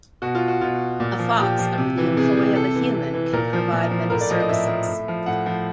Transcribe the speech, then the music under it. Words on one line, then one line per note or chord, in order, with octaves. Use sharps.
A fox under the employ of a human can provide many services.
B2 F#4
F4
F#4
B2 F4
A#2
F3
A#2 G4
F3
C3
E3
C3 G#4
E3
C3 A4
E3
C3
E3
A#2 A#4
F3
A#2
F3
A2 A#4
D5
F3 D#5
D#5
A2 E5
F3
A2
F3
A2 F#5
F3